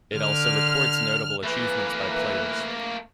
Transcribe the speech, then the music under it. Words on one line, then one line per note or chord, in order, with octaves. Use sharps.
It also records notable achievements by players.
D3 F6
E3 A3 A#3 B4